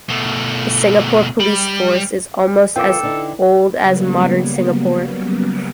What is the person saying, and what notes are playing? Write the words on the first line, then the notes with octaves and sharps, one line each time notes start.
The Singapore Police Force is almost as old as modern Singapore.
B2 A3
G3
D#3 B3 F4 A4 G5 D6
D3 D#4 E4
C#3 F#3 G3 A#3 B3